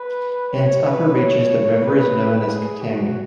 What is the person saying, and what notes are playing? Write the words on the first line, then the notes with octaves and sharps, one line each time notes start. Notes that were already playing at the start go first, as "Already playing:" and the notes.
In its upper reaches the river is known as Katanga.
Already playing: B4
C#5
B4
C#5
B4
G#4
F#4